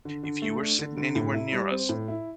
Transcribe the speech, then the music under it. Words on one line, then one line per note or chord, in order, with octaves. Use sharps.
if you were sitting anywhere near us
D3
D3
A3
D4
D3
D3
A2
E4
G3
C4
A2
E4